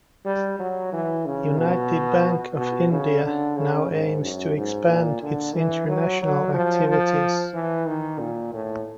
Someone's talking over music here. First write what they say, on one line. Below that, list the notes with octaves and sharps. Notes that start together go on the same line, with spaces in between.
United Bank of India now aims to expand its international activities.
G3
F#3
E3
C#3
B2
B2
C#3
D3
C#3
G#2
F#2
G#2
A#2
D3
E3
F#3
F#3
F3
F3
E3
D#3
A#2
A2